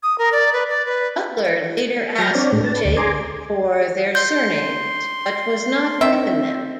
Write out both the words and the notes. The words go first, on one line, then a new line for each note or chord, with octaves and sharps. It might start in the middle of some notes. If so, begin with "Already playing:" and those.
Butler later asked Shaikh for their surnames, but was not given them.
D#6
A#4
D5
B4
D5
B4
F#3 G5 A#5 F6 A#6
C4 D4 C#5 D5
A2 G#3 A3
B4 A5
D2
G#4 G#5 A#5 C6 D6
C6 G6
D#3 C4 E5